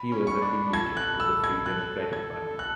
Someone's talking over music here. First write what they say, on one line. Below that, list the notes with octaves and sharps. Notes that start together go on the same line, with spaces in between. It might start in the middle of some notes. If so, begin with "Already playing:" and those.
He was affiliated to the Free Democratic Party.
Already playing: B5
C#4
C#6
D4
A4 G#6
F#6
E6
G#6
F#6
G#6
F#6